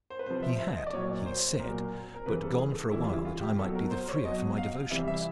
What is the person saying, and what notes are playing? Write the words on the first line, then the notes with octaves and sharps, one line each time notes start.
He had, he said, but gone for a while that I might be the freer for my devotions.
C5
B4
C3 F3 C5
E5
E5
D#5
D5
A#2 F#3 C#5
C5
A#2 F#3 A#4
A#4
C#3 E3 G3 B4
A4
G#4
A4
C#3 E3 G3 E4
F4
E4
F4
G4
B2 F#3 A4
A#4
C5
C#5
B2 F#3 D#5
F5
C3 E3 G3 E5
E5